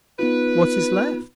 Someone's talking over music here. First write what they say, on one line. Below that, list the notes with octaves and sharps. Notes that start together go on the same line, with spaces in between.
What is left?
B3 D#4 F4 B4